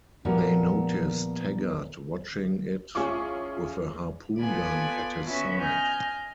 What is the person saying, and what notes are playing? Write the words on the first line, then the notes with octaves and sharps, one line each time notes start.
They notice Taggart watching it with a harpoon gun at his side.
A#2 F3 G3 B3 E4 F#4
C2 C#4 F4 G#4 C#6 D6
B3 F4 A4 D5 G#5 B5
B3 C#4 F#4 E5
D#5 G#5 F6 G6